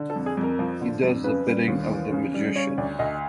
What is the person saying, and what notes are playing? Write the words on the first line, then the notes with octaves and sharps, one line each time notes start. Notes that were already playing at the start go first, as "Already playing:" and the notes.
He does the bidding of the Magician.
Already playing: D3
A4
F2
G#4
F2
A#4
F3
D3
F2
C#3 B4
G3
D#2
E3
C#3
G3
C#3 C#5
D2 D5
D2 D#5